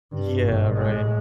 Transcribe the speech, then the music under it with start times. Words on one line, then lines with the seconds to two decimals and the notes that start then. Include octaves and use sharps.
Yeah, right.
0.12 G2
0.41 G#1 B2
0.74 A2 G#3